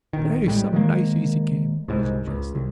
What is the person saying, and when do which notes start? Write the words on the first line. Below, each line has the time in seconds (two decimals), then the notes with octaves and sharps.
"Play some nice, easy game," he suggested.
0.13 A#1 D#3
0.46 A2 G3 G#3
0.73 D#3 G#3 A#3
1.88 C2 G#2
2.27 C#2
2.55 C2